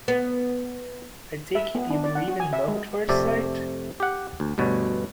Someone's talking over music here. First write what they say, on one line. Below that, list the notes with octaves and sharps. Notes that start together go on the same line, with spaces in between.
I take it you believe in love at first sight?
B3
E5
B3
D4
D5
F#5
F#4
G#5
E5
G#3
F2 C3 A3 D5 E5
G4 F#5
D2
D2 G2 B2 B4 C#5